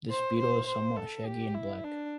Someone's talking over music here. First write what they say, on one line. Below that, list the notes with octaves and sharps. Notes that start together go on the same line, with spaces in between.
This beetle is somewhat shaggy and black.
C5
C5
C5
A4
G4
E4
D4